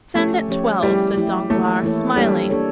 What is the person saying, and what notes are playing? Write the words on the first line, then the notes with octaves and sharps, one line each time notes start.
"Send at twelve," said Danglars, smiling.
F3 A3 C#4 G4 C#5
F3 C#4 G4 C#5
F3 G3 A3 E4 G4
F3 A3 E4 G4
E3 A3 A#3 E4 A4 C#5
E3 A#3 E4 A4 C#5
G3 A#3 D4 A4 C#5
A#3 D4 A4 C#5